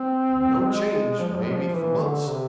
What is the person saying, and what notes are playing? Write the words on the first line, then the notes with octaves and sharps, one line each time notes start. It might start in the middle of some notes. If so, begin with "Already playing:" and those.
And no change, maybe, for months.
Already playing: C4
G#3
F3
G#3
F3
G#3
F3
E3
D3
C3